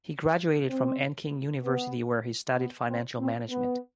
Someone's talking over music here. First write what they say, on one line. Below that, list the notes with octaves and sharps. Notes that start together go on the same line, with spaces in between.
He graduated from Anqing University where he studied financial management.
C4
B3
B3
C4
C4
B3